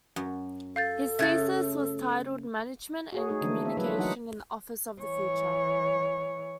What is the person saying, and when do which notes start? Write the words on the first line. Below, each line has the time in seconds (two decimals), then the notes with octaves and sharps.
His thesis was titled Management and Communication in the Office of the Future.
0.16 F#2
0.76 A4 F5 G6 A6
1.19 C#3 A3 E5 G#6 A6
3.12 F#4 G#4 C#5
3.29 A3 D#4 G#4
3.41 D3 E3 F3 G#3 A3 D4
3.65 A#3 E5
3.77 F#3 D4 E4 F4 B4 E5
3.96 E3 F#3 D#4 F#5
5.01 E3 C#5